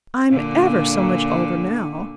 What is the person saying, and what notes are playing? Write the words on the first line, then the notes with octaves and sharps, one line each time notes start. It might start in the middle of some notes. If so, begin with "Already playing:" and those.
I'm ever so much older now....
A#2 D3